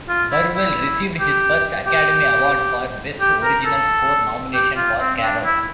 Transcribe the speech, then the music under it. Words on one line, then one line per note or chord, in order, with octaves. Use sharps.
Burwell received his first Academy Award for Best Original Score nomination for "Carol".
F4
E4
E4
G4
G4
G4
A#4
A4
G4
F4
C4
D4
E4